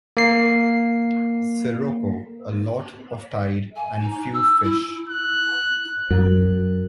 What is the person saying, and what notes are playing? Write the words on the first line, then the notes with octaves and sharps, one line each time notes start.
Sirocco, a lot of tide and few fish.
A#3 C7
G#5
D#4
E6
E4
F#6
F#2